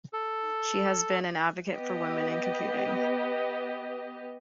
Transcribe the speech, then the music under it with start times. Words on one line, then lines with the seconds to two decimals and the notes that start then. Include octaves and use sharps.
She has been an advocate for women in computing.
0.13 A4
1.72 B3 G4 D#5